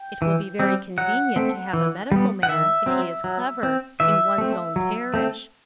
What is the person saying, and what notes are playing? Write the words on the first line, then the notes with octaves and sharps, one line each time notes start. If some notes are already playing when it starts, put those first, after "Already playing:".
It will be very convenient to have a medical man--if he is clever--in one's own parish.
Already playing: G5
E3
G3 C4
F#3 F#5
A3 C4
E3
G3 B3
F#5
D#3 E5
F#3 C4
F#3
C4
E3 E5
A3 C4
F#3
A3 C4